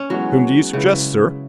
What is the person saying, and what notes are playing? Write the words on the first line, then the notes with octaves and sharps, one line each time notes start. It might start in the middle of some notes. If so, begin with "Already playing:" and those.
"Whom do you suggest, sir?"
Already playing: C#4
E3 F#3 G#3 B3 F#4 C#5
C#3 G#3 E4 B4